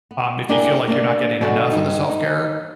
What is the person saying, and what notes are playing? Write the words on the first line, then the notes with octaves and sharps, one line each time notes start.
um, if you feel like, you're not getting enough of the self-care,
B3
A#3 D4 E4 G4 G#4 A#4
A#3 D4
B2 D3 F#3 G#3 F#4 A5
G2 D#4
D#4